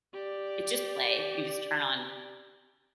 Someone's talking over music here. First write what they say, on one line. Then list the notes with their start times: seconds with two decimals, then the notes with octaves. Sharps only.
it's just play. You just turn on
0.14 G4 D5